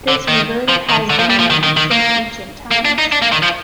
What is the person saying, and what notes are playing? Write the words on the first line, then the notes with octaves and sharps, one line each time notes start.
This river has been known since ancient times.
D3
D#3
F3
D#3
D3
F3
G3
F3
D#3
D#3
D#3
A#3
A#3
D4
D#4
D4
A#3
D#3
F3